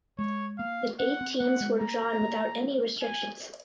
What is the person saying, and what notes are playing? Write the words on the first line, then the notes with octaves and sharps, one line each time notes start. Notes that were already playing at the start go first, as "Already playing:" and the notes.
The eight teams were drawn without any restrictions.
G#3 C#5
A#3 F5
C#4 F#5
C4
A#3 F#5
G#3
A#3 A#5
A#3
G#5